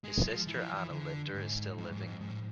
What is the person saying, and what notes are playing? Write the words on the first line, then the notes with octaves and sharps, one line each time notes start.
His sister Anna Linder is still living.
G#3
F3
E3
F3
E3
D3
G#2
F2
G#2
F2
G#2
A2